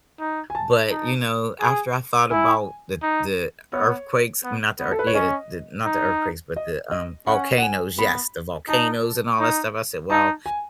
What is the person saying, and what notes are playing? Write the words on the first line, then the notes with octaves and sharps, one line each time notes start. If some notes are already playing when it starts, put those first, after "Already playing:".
but, you know, after I thought about the the earthquakes, not the ear Yeah, the the not the earthquakes, but the, um Volcanoes, yes, the volcanoes and all that stuff, I said, "Well,
D#4
G#5
A5
D#4
G#4
E4 G#5
D#4
B3 C#5
B3
B3
A4
B4
C#5
C#4 D#5
D#4
D#5
D#5
C#4 F#5
F#5
G#5
B3 B5
D#4 A5
D#4
D#4 A5
G#5